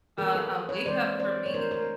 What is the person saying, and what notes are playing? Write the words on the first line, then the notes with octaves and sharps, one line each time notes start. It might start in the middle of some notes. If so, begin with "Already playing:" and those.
a a wake up for me.
E3 G3 B3 G#4 A#4
A4 B4
B4 C#5
E3 G#3 C4 C5 D5
C5 D5
C#5
E3 A3 D4 A#4 C5
A#4 C5